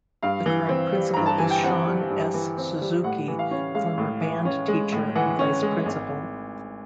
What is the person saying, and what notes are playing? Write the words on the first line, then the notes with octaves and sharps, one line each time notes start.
The current principal is Shawn S. Suzuki, former band teacher and vice-principal.
G2 F5
E3
C4
G3
G2 A#5
A5
E3 G#5
G5
C4 F#5
G3
G2
E3
C4
G3
A2 F#5
E3
F5
C#4
G#3 F5
A2
E3
C#4
G#3
A2
E3 F#5
C#4
G#3
G#1